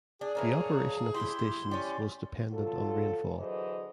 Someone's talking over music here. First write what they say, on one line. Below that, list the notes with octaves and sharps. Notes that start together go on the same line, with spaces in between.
The operation of the stations was dependant on rainfall.
D4 G#4
E3 A#3 D4 C#5 A#5
E4 G4 C6
C#4 G4 D5
F3 F#3 F4 A4
D3 E3 F#3 G#4 C5 D#5